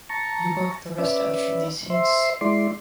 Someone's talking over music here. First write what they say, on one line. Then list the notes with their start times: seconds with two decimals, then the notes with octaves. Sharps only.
You work the rest out from these hints.
0.09 A5 A#5 C#6
0.99 C#4 B4 D5 E5
1.90 C5 E5 C6
2.41 G#3 E4 D5 C6